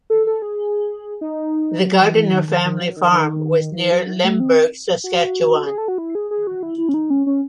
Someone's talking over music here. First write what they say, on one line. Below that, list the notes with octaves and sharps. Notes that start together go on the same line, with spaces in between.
The Gardiner family farm was near Lemberg, Saskatchewan.
A4
A4
G#4
D#4
F#3
E3
E3
D#3
D#3
D#3
F#3
D#3
D#3
E3
F#3
F#3
A3
C4
F#4
G#4
A4
F#4
E4
G#4
G#4
F#4
E4
E4
C#4
D#4
C#4
C#4